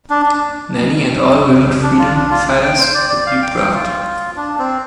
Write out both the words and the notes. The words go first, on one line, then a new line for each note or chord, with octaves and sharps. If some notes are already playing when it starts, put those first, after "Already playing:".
Nanny and all women freedom fighters would be proud.
D4
D4
D4
F4
D4
F4
G5
C5
D5
D5
F5
G5
G5
F4
D4
C4